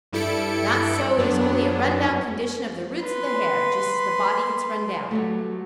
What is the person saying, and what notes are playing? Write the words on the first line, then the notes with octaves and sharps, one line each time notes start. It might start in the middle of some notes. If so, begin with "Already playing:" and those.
Not so, it is only a run down condition of the roots of the hair--just as the body gets run down.
G2 G3 E4 A4 C#7 D7
F#2 F#3 B3 D4
B4 C6
F#3 G3 A3